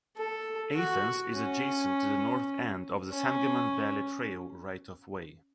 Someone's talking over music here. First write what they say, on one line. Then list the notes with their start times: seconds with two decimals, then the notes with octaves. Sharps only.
Athens is adjacent to the north end of the Sangamon Valley Trail right-of-way.
0.16 A4
0.75 F#4
1.34 C#4
3.11 C#4